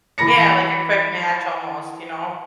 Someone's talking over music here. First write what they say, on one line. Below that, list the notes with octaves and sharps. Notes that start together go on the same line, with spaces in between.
Yeah, like a quick match almost, you know?
E3 B5 A#6 C#7